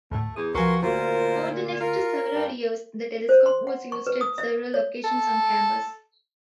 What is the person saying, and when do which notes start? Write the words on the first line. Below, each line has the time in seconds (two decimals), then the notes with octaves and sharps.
Over the next several years the telescope was used at several locations on campus.
0.11 D2 A2 A3
0.36 E2 D#6
0.54 C#2 F3 F#4 G4 A#4 B4 G#5 C6
0.82 D2 A#2 F4 F#4 A#4 C5
1.80 F4 A#4
2.34 G2
3.29 C5
3.46 C6
3.67 F#5
3.92 C#6
4.07 B4
4.21 D#6
4.38 E5
4.74 C#5
5.04 A4